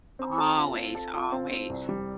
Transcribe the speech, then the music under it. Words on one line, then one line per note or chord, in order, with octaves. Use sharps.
Always, always.
C4
A4
F4
C4
A4
F4
C4
C4
C2
G3